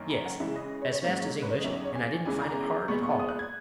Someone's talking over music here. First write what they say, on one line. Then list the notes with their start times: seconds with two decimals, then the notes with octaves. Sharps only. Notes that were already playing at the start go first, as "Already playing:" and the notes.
"Yes, as fast as English--and I didn't find it hard at all."
Already playing: F#2 D#3 A#3 C#4
0.10 A#5
0.26 F#5
0.40 C#3 E3 G#3 E5
0.56 D#5
0.82 C#5
0.93 C#5
1.02 G#2 F#3 A#3 C#4
1.42 B4
1.50 C#5
1.58 D#5
1.64 E2 D#3 F#3 C#4 E5
1.74 D#5
1.84 C#5
1.95 G#5
2.25 E2 C#3 E3 G#3 G#5
2.42 A#5
2.88 A#2 G#3 B3 C#6
3.03 C#6
3.19 D#6
3.29 F#6
3.39 G#6